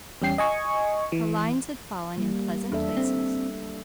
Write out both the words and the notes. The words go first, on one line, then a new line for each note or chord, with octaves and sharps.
Her lines had fallen in pleasant places.
E2 G3 C#4 G5 C7
D#5 G#5 C#6
E3
G3 A#3
E2 D4 A4 E5
C4